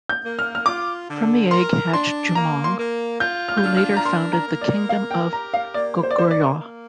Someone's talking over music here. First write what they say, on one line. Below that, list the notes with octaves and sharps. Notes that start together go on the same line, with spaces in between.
From the egg hatched Jumong, who later founded the kingdom of Goguryeo.
G6
A#3
F6
F6
F4 D6
D3
A#4 C6
D4 C6
A#3 A#5
C6
A#3
F4 G6
F6
G6
D4 F6
F6
A#5
A#4 C6
A#5
A#3
D5
A#4 F5
G5
G4 A#5
F5
A#3 D5
C5
D5
A#3 C5
D5
A#3